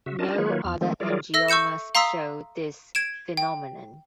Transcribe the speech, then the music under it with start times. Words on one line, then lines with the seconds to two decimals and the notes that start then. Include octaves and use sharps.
No other angiomas show this phenomenon.
0.06 C#3 F#4 E5
0.19 C#4 D4 F4 A#4 D#5 A5
0.38 D#3 F#3 A#3 F4 B4 C#5
0.65 E2 F6
0.81 D#3 F3 G#3 A3 C4
1.00 F#3 G3 F4 G#4 A#4 D5
1.34 A4 E5 E6 A#6
1.48 C#6 E6 G6 C#7 E7
1.95 F5 A#5 C6 D#6 E6 B6
2.95 G#6 D7 E7
3.37 G5